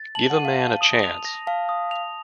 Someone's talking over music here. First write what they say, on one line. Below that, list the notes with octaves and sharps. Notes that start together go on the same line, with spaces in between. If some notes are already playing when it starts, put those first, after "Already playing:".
Give a man a chance.
Already playing: A6
A5 F#7
F#5
D#7
F5
A5
D#6
F7
A#6
F5 A5
D#6
F7